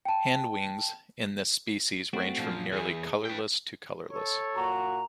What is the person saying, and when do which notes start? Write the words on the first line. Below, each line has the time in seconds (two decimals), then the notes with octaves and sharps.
Hindwings in this species range from nearly colorless to colorless.
0.05 G5 A5
2.13 A3 C4 F#4
2.38 A#2 F3
2.72 E2 E3 G#4
3.25 B4 G5
4.11 A4 C#5
4.56 A#2 F#4 A#5